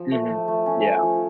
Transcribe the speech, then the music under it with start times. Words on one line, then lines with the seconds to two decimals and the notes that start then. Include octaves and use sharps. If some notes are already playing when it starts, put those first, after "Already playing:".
Mhm, yeah.
Already playing: F3
0.12 A3
0.30 F3
0.48 A3
0.66 C#4
0.84 F3
1.02 F3